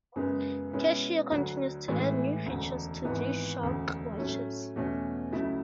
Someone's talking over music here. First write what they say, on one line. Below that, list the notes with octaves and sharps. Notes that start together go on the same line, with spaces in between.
Casio continues to add new features to G-Shock watches.
F#2 C#3 G#3 B3
B2 G#3 C#4 E4 B4
D2 D3 F#3
A1 A2 E3 G#3
E1 D2 C#3
G#1 G#2 E3 B3 E4
E1 D2 C#3
A2 F#3 A3 C#4
E2 B2 A3 C#4
C#2 C#3 F#3 A3 E4